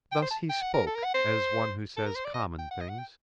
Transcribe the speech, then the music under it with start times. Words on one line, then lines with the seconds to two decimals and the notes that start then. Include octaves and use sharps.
Thus he spoke, as one who says common things.
0.12 G5
0.22 C5
0.31 A5
0.49 G5
0.61 F#5
0.74 A#4
0.86 A4
0.95 A#4
1.04 F#5
1.14 C5
1.97 A4
2.06 A#4
2.15 C5
2.25 D5
2.34 D#5
2.59 G5
2.71 F#5
2.81 D#5
2.89 F#5
2.99 G5